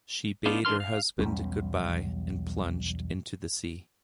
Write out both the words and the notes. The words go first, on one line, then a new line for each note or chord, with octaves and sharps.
She bade her husband goodbye and plunged into the sea.
B3 D4 D#4 F4
E3 D4 A#4 C6 F6
F5
B1 E2 G3 C#4